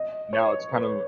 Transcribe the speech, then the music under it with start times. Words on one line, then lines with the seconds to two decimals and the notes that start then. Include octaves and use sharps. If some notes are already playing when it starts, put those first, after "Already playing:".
Now, it's kind of
Already playing: D#5
0.33 C#5
0.73 B4